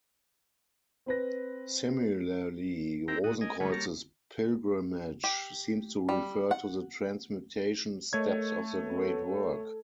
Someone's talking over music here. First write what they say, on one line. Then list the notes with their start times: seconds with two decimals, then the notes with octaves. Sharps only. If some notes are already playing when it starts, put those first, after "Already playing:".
Similarly, Rosenkreuz's pilgrimage seems to refer to the transmutation steps of the Great Work.
1.06 C4 B4 A#6
3.08 C4 E4 G4 A#4 G5 A#5
3.24 A2 F#4 D#6
3.41 A#4 D#5 G#5
3.60 D3 G#3 A3 C#4 B4
3.72 G3 A#3 C#5 A5 A#5
5.24 G4
6.09 G3
6.51 F#5
8.13 A3 A4 A#4 C#5 D#5 G#6
8.80 B3 A4
9.30 A4